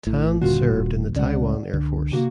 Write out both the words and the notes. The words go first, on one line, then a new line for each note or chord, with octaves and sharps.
Tan served in the Taiwan Air Force.
A#1 A2
D#1 G2 A#2 D3 F4 F#4
D1
C#2 C#3 G#3 D5 F#5
C#2 D3
C3 A#3 F#4 G4